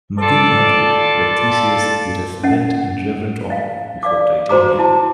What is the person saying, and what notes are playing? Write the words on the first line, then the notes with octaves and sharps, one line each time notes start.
Maginn argued that Theseus would have bent in reverent awe before Titania.
F4 A4 D5
C#4 D#5 F#5
D#5 F5
D5 F5 D6
F#4 C5 A#5 D6
E4 A5 A#5